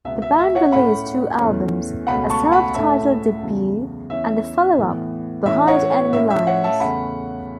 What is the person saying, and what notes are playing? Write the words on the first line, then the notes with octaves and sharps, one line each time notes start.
The band released two albums, a self-titled debut, and the follow-up "Behind Enemy Lines".
C#2 B2 B3 E5
E5
E5
C#5 F#5
A2 A3 C#4 F#5 B5
E2 E3 A3 C#4
C#2 B2 A3 C#4 F#5 B5
A5 C#6
F#5 B5
A2 A3 C#4 E5 A5
E2 C#3 F#3
E2 E3 C#4 E5
A2 E3 B3
A2 E3 C#4 E5
C#5 F#5
C#5
A2 A3 C#4 E5
E5
C#5 F#5
E5 A5
E2 C#3 A3 C#4 F#5 B5